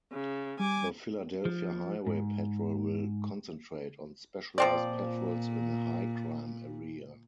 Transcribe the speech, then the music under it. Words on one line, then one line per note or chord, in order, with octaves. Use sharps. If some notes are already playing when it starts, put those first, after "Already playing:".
The Philadelphia Highway Patrol will concentrate on specialized patrols in high-crime area.
C#3
G3 G#5 D6
F3
G#2
A#2 F3 C4 D5